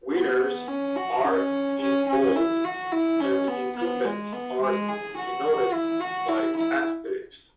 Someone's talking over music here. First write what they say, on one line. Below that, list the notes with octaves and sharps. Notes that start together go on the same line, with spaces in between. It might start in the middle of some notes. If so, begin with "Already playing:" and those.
Winners are in bold and incumbents are denoted by asterisks.
B3
C#4
F#4
C#4
C#4
C#4
E4
F#4
E4
C#4
B3
B3
G#3
B3
G#3
G#4
F#4
E4
F#4
E4
E4